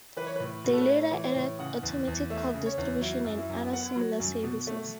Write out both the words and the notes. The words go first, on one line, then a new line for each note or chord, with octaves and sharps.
They later added automatic call distribution and other similar services.
E3 B4
C#5
A2 B4
A2 F#4
A4
B4
A3 C#5
E3
C#5
A2
C#3 F#5
E2
E2
A3 E5
C#3
C#5
E2
F#3 E4
F#2
E4
F#2
B3 F#5
F#3
F#2
B2
A3